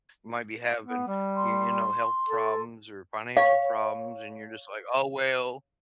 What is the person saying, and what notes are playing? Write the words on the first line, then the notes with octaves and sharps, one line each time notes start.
you might be having, you you know, health problems or financial problems and you're just like, "Oh well,"
B3
G3
C6
A4
C#5 F5